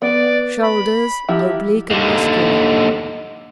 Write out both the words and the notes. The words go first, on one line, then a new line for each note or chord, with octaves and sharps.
SHOULDERS--Oblique and muscular.
B3 D5
B5
F3 F#3 E4 G4
D#2 D3